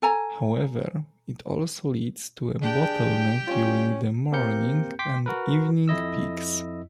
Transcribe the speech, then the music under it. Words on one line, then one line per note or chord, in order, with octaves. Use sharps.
However, it also leads to a bottleneck during the morning and evening peaks.
A4 G#5 A#5
D4 G4 G#4 G5
G3 C#4 F4
A#3 C4 G4 A#4 G6 C#7
G5 C6 D6 B6
F#4 A#4 B4
F2 E4 D#5 E6